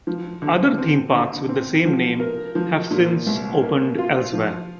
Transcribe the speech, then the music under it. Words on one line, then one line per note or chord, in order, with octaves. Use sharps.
Other theme parks with the same name have since opened elsewhere.
F3
D3
C4
D3
C4
F3
A#4
F3
A#2
C2
A#3
F4
F3